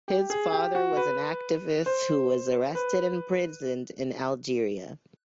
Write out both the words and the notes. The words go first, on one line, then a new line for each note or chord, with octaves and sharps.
His father was an activist who was arrested and imprisoned in Algeria.
G4
G#4
G4
F#4
B4
C5
B4